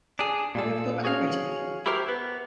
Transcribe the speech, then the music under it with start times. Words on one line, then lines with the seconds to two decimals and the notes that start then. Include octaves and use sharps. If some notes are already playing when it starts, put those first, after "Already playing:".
Have you ever thought about emigrating before?
0.19 D4 G#4
0.55 A#2 A4
1.04 F#4 G#4 C#5 F5
1.86 E4 F#4 G4 A#4 C5 E5
2.08 B3 B4